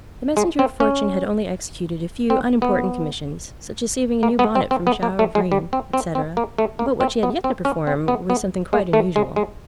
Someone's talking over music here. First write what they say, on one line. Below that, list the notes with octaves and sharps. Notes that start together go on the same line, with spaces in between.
The messenger of Fortune had only executed a few unimportant commissions, such as saving a new bonnet from a shower of rain, etc.; but what she had yet to perform was something quite unusual.
G#3
C4
C#4
C4
B3
A#3
B3
C4
C4
B3
A#3
A3
G#3
G3
C4
C4
C4
A#3
A3
A#3
C4
B3
C4
C#4
C4
B3
B3
G#3
A3
G#3
G#3